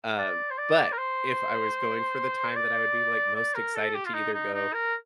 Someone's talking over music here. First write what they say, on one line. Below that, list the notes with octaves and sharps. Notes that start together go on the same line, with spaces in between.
Um, but, if I was going for the time that I would be, like, most excited to either go,
D5
C5
D5
A#4
C5
D5
D5
A#4
A4
G4
F4
D#4
D#4
D#4
A#4